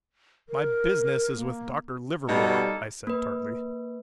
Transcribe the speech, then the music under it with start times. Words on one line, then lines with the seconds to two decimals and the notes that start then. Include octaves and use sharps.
"My business is with Dr. Livermore," I said tartly.
0.49 A#4
1.36 A#3
2.29 B2 G3 A#3 D#4 A4
3.07 A#3 B4